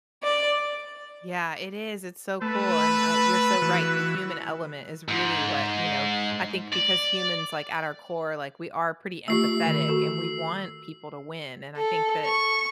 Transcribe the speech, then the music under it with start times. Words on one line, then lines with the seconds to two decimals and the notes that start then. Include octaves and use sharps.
Yeah, it is. It's so cool, and I you're so right. The human element is really what you know, I think because humans, like, at our core, like, we are pretty empathetic, and we want people to win, and I think that
0.23 D5
2.42 A3 B4
3.62 E3 F#4
5.08 G#2
6.72 D5
9.28 A3 F4 G4 E6 C7
9.66 D#3
9.89 F#4 A4
11.77 A4
12.25 C#6